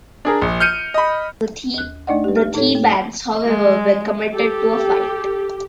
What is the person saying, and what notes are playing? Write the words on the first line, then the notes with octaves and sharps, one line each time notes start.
The Thebans however were committed to a fight.
D4 G#4 A#4
A#1
F6 G6 C#7 D#7
D#5 B5
D#2 F#6
A3 D4 D#4 D5 D#5 F#5
G4 B4
F6
A2 D#4 A4 C#5
A3
G#3
G4 A4